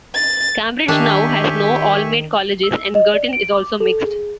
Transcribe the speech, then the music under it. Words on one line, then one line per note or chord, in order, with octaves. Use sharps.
Cambridge now has no all-male colleges and Girton is also mixed.
A6
D#3 D4 G4 E5 G#5 C#6
E6
D#5
D5
D7
D6
A4
G#4